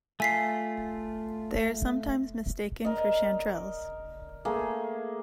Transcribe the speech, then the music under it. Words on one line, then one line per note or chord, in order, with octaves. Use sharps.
They are sometimes mistaken for chanterelles.
A3 F4 G#5 B6 C7
A#4 D5 D#5
A3 A#3 G#4